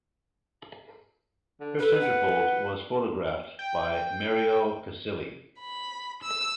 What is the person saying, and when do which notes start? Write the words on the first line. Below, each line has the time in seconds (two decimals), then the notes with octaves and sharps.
Her centerfold was photographed by Mario Casilli.
1.60 D3
1.80 A4 B4
2.01 F#5
3.59 G5
5.59 B5
6.23 E6